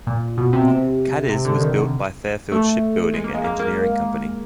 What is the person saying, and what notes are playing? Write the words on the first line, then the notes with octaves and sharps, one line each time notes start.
"Cadiz" was built by Fairfield Shipbuilding and Engineering Company.
A#2
B2
C3
C3
C3
D3
D#3
A3
G#3
A#3
G#3
A#3
A#3